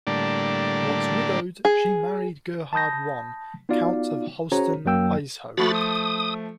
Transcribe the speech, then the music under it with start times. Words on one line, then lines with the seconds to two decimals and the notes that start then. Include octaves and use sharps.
Once widowed she married Gerhard I, Count of Holstein-Itzehoe.
0.07 A2 D3 G3 A#3 D4
1.65 G#4
2.73 A5 B5 D#6 G6 A#6
3.69 B3 D#4 F4 F#4 D5 F5
4.52 C#4 F#4 G#4 C5 C#5 A#5
4.85 F#2 F#3 A#3 G5 E6
5.57 F3 A3 F#4 B5 A6
5.74 D#6